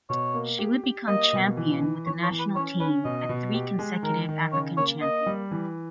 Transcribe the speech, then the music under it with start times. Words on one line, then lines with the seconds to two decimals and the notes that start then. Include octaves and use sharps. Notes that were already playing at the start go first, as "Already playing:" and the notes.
She would become champion with the national team at three consecutive African Champion.
0.10 B2 C#5
0.34 A#3
0.59 G4
0.84 G4
1.08 A#3 D#5
1.33 B2
1.57 E3
1.81 E3
2.06 E3 C#5
2.23 C#5
2.31 E3
2.39 B4
2.56 C#4 C#5
2.80 C#4 B4
3.05 B2 D#5
3.29 B2
3.54 G4
3.79 G#3
4.03 D#3 A#4
4.29 D#3
4.52 C#3 C#5
4.77 A#3 C#5
5.02 A#3 D#5
5.26 G3
5.51 E3